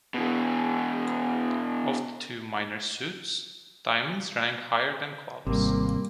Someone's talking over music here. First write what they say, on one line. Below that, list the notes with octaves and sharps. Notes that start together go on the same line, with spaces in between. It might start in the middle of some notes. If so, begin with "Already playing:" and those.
Of the two minor suits, diamonds rank higher than clubs.
B2 E3
G#1 C3 G3 A#3